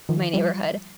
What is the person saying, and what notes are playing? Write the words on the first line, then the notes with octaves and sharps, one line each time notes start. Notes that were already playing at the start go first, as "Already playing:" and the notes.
my neighborhood,
D#3 F3
F3 G3